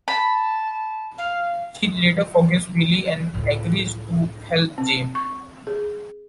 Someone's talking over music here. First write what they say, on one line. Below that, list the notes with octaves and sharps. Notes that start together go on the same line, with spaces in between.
She later forgives Billy and agrees to help Jay.
A5 B5
F5
C#2 A2
C4
C#6
G#4